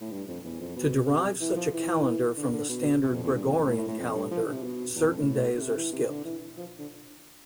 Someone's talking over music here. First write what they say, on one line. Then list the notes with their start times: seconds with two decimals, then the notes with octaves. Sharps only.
To derive such a calendar from the standard Gregorian calendar, certain days are skipped.
0.01 A2
0.11 G2
0.28 F2
0.44 E2
0.60 F2
0.76 B2
1.07 C3
1.40 E3
1.56 F3
1.73 E3
2.37 D3
2.53 D3
2.69 B2
3.02 C3
3.12 F2
3.23 E2
3.34 G2
3.44 E2
3.55 F2
3.66 A2
3.77 A2
3.88 A2
3.99 F2
4.14 G2
4.31 F3
4.41 E3
4.46 D3
4.52 C3
4.63 B2
4.96 E2
5.06 F2
5.17 A2
5.56 D3
5.60 C3
5.76 E3
5.92 C3
6.09 D3
6.24 E3
6.57 F3
6.78 D3